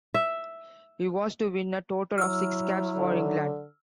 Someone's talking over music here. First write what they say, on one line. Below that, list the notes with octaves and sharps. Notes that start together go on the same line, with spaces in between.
He was to win a total of six caps for England.
E5
F#3 E4 E6 F6
D3